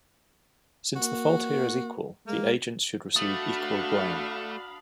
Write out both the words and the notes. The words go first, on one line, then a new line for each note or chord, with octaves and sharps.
Since the fault here is equal, the agents should receive equal blame.
A#3 F#4
G#3 A#3
A3 D4 F#4 F5 B5 D#6 F#7